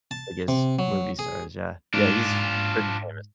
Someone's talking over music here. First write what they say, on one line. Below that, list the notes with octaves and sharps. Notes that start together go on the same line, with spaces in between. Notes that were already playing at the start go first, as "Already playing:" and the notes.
I guess, movie stars, yeah. Yeah, he's he's pretty famous.
A5
C3
F#3
G#4
G#2 D4 F4